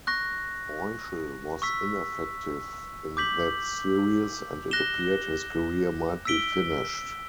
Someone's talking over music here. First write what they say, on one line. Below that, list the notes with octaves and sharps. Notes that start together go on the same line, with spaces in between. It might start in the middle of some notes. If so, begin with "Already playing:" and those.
Reuschel was ineffective in that Series, and it appeared his career might be finished.
C#6 F#6 A#6
C#6 E6 B6
D6 G6 B6 F#7
F#6 A#6 E7 G7
E6 B6 D7 G7